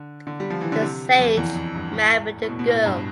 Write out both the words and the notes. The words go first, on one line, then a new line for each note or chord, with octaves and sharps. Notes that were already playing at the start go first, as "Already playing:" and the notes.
The sage married the girl.
Already playing: D3
D3
G3
F3
E3
D3
C3
F2
E2
F2
G2
A2
A2
B2
B2
A2
G2